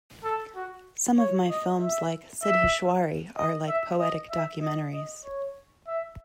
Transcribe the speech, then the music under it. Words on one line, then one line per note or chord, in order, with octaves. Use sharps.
Some of my films like "Siddheshwari" are like poetic documentaries.
A4
F#4
C#5
D#5
E5
E5
D#5
E5
D#5
E5
D#5
D#5
C#5
E5